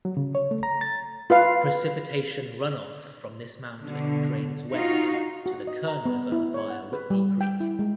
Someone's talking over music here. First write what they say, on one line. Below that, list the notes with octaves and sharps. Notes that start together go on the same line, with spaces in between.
Precipitation runoff from this mountain drains west to the Kern River via Whitney Creek.
F#3
C#3
C#5
A3
A#5
A6
F4 B4 F5
B2 D3
D#4 F4 F#4
F#4
D#5
A#5
B3
E4
C#5
F#5
B4
G3
G5
E4
G#3